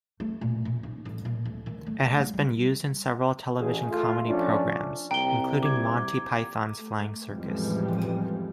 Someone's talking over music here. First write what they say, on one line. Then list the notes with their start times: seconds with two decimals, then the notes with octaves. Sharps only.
It has been used in several television comedy programmes, including Monty Python's Flying Circus.
0.20 A3
0.41 A#2
0.65 A#2
0.83 D#4
1.05 A1
1.25 A#2
1.45 D2
1.66 D#3
1.87 A3
2.18 G#3
2.33 G3
3.59 A1 G#4
3.90 A3 F4
4.27 F3 A3 C#4 D4
5.11 C2 G5 A#5 G7
5.63 D6 G#6
6.75 A3
7.29 A1 F2 E3 F3 G3 G#3